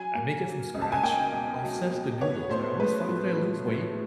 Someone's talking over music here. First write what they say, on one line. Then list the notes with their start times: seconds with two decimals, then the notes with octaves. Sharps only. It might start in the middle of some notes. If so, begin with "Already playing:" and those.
I make it from scratch, offsets the noodles, I always find that I lose weight
Already playing: F#3 G#5
0.15 A#3
0.44 F#3
0.74 C#2
0.82 A5
0.92 G#5
1.03 A#3 G5
1.32 B2
1.62 F#3
1.91 B2
2.21 B3 C#5
2.50 A2 C5
2.80 G#3 B4
3.09 F3
3.38 G#3
3.67 A2